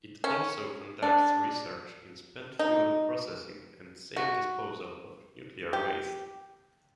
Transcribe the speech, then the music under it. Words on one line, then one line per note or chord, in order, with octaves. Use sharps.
It also conducts research in spent fuel processing, and safe disposal of nuclear waste.
C#4
D4
D#4
F#4
G4